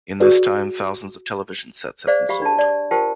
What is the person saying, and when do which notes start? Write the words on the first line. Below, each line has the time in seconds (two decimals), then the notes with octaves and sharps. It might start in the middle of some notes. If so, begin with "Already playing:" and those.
In this time thousands of television sets had been sold.
0.20 F#4 G#4 B4 D5
2.07 G#4 C5 D5 F5
2.29 G4 F5 B5 C#6
2.42 D4 A5
2.59 D5
2.91 F4 G4 A#4 C5 G5 A5